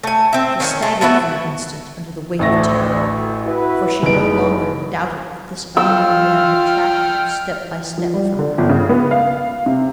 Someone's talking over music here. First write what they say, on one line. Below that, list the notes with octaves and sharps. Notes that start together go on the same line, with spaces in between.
She staggered for an instant under the weight of terror, for she no longer doubted that this unknown man had tracked her, step by step, from her home.
A3 G#5
C4 E5
D#3 B3 C#4
A3
A3 B3 E4 F#4
A1 D2 A3 A#6
E4 F#4 B4
F#1 D#4 B4 D7
F4 G5 E6 F6
F3
G3
D3
G1
C#3
B3
F5
C3